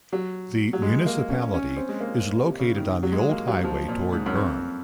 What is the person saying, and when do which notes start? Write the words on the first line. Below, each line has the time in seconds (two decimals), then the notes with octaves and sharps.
The municipality is located on the old highway toward Bern.
0.13 F#3
0.73 F#3
0.82 G#3
1.06 A#3
1.30 C#4
1.54 C#4
1.77 C4
1.89 G#3
2.00 A#3
2.41 C3
2.59 C#3
2.76 D#3
3.03 F#3
3.12 G#3
3.29 A#3
3.47 F#3
3.64 F3
3.88 A#2
4.12 G#2
4.26 F#2
4.35 F2